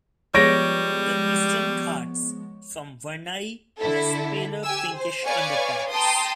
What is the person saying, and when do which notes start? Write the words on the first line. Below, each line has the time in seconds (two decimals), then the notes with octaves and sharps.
The Eastern Ghats form "vernayi" has paler pinkish underparts.
0.34 F3 G3 G#3 B3 C#5 A#6 D7
3.80 D3 E4 A4
4.64 G4 G#5 E6
4.92 C5
5.25 B4 C#5 D5 F5 G#5 C#6
5.90 G5 A5 A#5 C6 D#6